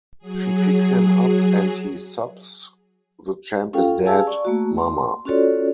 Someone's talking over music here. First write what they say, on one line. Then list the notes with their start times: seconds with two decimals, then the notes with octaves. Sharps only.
She picks him up and he sobs, The Champ is dead, mama.
0.18 F#3 G#4
3.73 C#4 F4 A4 F5 G5
4.05 G#4 F5 G#5 A5 E6
4.27 D5 C#6
4.45 A3 A#3 F#4
4.78 C6
5.25 C#4 F4 F#4 A4 C#5 D5